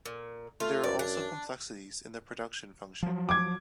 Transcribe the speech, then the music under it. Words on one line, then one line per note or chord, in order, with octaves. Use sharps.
There are also complexities in the production function.
A#2
A3 F4
F#2 D5
D4
F3 F#3
D6 G#6